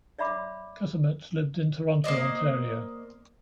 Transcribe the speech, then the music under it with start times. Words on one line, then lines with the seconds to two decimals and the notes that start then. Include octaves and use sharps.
Kasemets lived in Toronto, Ontario.
0.19 C#5 D5 E5 B5 C6 D6
2.04 A#3 C5 D5 D#5